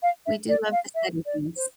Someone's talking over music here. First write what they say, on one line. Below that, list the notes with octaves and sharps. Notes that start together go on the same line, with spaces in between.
we do love to study things.
F5
E5
D5
F5
E5
D5
C5